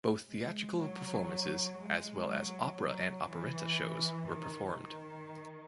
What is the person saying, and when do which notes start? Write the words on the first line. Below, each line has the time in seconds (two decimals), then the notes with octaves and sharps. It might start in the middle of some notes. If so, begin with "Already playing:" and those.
Both theatrical performances as well as opera and operetta shows were performed.
0.29 G#3
0.78 F#3
1.78 G#3
2.28 F#3
2.78 F#3
3.27 E3
4.27 D#3
4.76 D#3